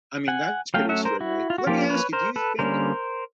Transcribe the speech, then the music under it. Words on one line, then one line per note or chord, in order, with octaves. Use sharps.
I mean that is pretty extraordinary. Let me ask you, do you think
F#5 G#5
F#3 A3 C#4 F5 G5
E5 F#5
A#4 C5
E4 F#4
F4
F#4
F3 A#3 C#4 F4 G4
B4 C#5
A#4 C5
A4 B4
D3 G3 A#3 C#4 A#4 C5